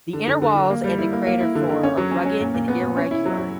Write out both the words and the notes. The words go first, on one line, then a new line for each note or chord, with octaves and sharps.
The inner walls and the crater floor are rugged and irregular.
D3
D3
D3
D3
A#3
G3
E4
A#3
A#3
E4
D3
D3
C#4
F#3
C#4
C#4
A#2
A#2
B3
A#2
C#4
E4
F#3
F#3